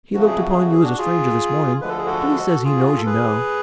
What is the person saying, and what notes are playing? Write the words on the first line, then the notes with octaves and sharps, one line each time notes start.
He looked upon you as a stranger this morning, but he says he knows you now.
F2 C#3 F3 A3 F#4
G#4
F#4
G#4
F#4
G#4
D4 F#4
F4 G#4
D2 D3 F3 G#3 B4
A4
G#4
F#4 A4
F4 G#4
F#4
G#4
A4
G#4 B4